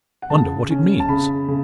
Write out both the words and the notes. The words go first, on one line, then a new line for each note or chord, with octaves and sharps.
Wonder what it means!
F#5
C#3 A5
C#4
A5
C#3 B5
C#3